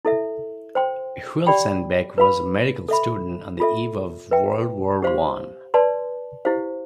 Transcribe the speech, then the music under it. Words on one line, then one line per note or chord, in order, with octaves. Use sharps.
Huelsenbeck was a medical student on the eve of World War One.
E4 A4 E5
C5 G5 C6
G4 D5 G5 B5
B4 F5 B5
A4 E5 B5
F4 A4 E5
B4 E5 G5
G4 C5 F5 C6
B4 D5 A5 C6
E4 G4 C5 F5